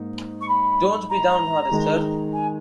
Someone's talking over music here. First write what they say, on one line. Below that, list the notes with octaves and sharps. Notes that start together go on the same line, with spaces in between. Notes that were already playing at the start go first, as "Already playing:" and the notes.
Don't be down-hearted, sir.
Already playing: G#2 A#3 D#4
C#6
B5
A#5
D#3 G#3 D#4 G#4
G#5